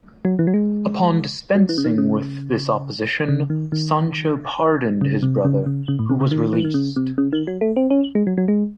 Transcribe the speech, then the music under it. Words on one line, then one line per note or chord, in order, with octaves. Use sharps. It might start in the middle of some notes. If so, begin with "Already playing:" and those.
Upon dispensing with this opposition, Sancho pardoned his brother, who was released.
F#3
E3
F#3
G#3
F#3
E3
C#3
D#3
C#3
C#3
D#3
D#3
C#3
C3
C#3
C#3
C#3
A2
C3
C#3
D#3
E3
D#3
C#3
C3
C#3
D#3
F#3
A3
C4
C#4
G#3
F#3
F#3
G#3